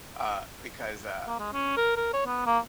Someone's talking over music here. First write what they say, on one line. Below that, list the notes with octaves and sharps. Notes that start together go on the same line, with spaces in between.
uh, because, uh,
A#3
G#3
C#4
A#4
A#4
C#5
B3
A#3